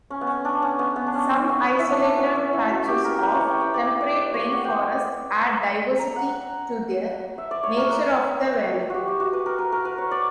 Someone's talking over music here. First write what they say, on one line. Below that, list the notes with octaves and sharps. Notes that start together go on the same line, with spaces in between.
Some isolated patches of temperate rainforest add diversity to the nature of the valley.
C#4
B3
C#4
D4
C#4
B3
B3
D4
C#4
C#4
B3
C#4
E4
D4
C#4
B3
C#4
E4
F#4
G4
A#4
B4
C#5
G5
G5
D5
D5
C#5
D5
F#5
G5
A#5
F#5
E5
D5
C#5
A#4
B4
F#4 G4
G4
F#4
B4
A#4
B4
A#4
B4
C#5
D5